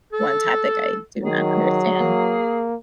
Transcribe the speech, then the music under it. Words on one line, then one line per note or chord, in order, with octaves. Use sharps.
one topic I do not understand.
A4
D#3 F#3 G#4
A#3